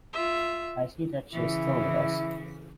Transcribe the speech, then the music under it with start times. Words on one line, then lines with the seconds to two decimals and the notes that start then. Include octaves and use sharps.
I see that she is still with us.
0.13 F4 E5
1.33 C#3 E3 E4